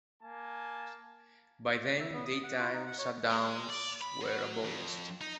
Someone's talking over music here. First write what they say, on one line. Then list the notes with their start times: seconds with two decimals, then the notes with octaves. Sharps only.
By then, daytime shutdowns were abolished.
0.21 A#3 G#5 A5
2.00 E5
2.12 B3
2.25 D#6
2.44 F#5
2.60 F4
2.73 D#4
2.87 F#5
2.99 C#5
3.30 G#3
3.69 D5
4.01 B5
4.21 F#3
4.65 F2
5.21 D#4